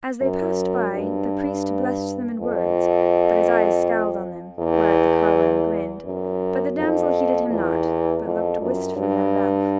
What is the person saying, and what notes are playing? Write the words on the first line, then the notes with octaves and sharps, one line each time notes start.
As they passed by, the priest blessed them in words, but his eyes scowled on them, whereat the carline grinned, but the damsel heeded him not, but looked wistfully on Ralph.
F#2
G2
F2
E2
F#2
F2
E2
F2
F#2
G2